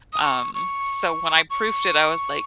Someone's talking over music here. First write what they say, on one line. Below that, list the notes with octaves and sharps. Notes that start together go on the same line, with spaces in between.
um, so when I proofed it, I was like,
D#6
C#6
C#6
C#6